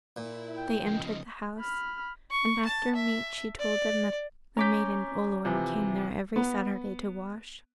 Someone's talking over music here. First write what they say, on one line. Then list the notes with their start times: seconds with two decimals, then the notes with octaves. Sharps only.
They entered the house, and after meat she told them that the maiden Olwen came there every Saturday to wash.
0.16 A#2 E4
0.57 G5
0.87 C#3 F3 D#5 D#6
1.59 B5 F6
2.31 C#6
2.66 A5
2.96 E5
3.59 D5
4.57 C#4 A#5 D6 G6 B6
5.45 C3 E3 F3
6.36 B3